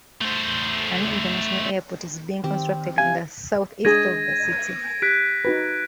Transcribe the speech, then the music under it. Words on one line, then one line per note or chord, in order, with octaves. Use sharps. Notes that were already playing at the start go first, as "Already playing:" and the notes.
A new international airport is being constructed in the southeast of the city.
A3 C5
D#3 C4 G4
C3 G4 F5 G#5
G#3 D4 G#4 G#6 A#6 D#7
G4 F#6 B6 D7
D#4 F#4 B4